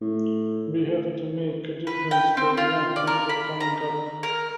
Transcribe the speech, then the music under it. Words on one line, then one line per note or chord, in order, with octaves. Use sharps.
We have to make a difference for the young people coming up.
A2
B4
G5
C4
F4
D5
A#4
B5
A#5
A#4